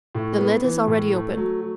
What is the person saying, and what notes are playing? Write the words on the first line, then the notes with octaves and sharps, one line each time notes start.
The lid is already open.
A2
B3
E3
A2
A3
F#3
F#3